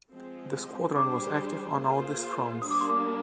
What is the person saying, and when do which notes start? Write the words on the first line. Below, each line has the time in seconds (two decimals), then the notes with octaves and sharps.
The Squadron was active on all these fronts.
0.12 F3 G#3 C4
0.96 G3 D4 G#4 C5 D6
1.79 A#3 F4 G#4 C5
2.62 G3 A#3 D4 D#6
2.71 D6
2.81 C6
2.90 D6